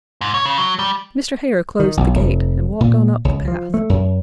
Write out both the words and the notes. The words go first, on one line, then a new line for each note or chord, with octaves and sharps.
Mr. Hare closed the gate and walked on up the path.
G#2
C#5
C#3
F#3
G3
D#3
B1
F1
A#2
C#2
F3
A3
F#2